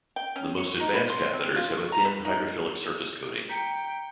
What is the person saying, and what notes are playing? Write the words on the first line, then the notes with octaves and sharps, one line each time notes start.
The most advanced catheters have a thin hydrophilic surface coating.
G5
C#4
C#5
D#4
B4
C6
C4
F4
C#6
A#5
B4
D#4
G5 A#5 B6 C#7